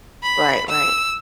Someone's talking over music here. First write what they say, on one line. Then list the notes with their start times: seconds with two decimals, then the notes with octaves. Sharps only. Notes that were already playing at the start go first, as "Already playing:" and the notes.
Right, right.
0.23 B5
0.69 E6